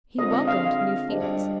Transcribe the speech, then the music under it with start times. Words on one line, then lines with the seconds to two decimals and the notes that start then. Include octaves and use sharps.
He welcomed new fields.
0.17 D3 G#3 C4 F4 D#5
0.33 D#5
0.48 F5
1.09 G3 D4 G4 C5 D#5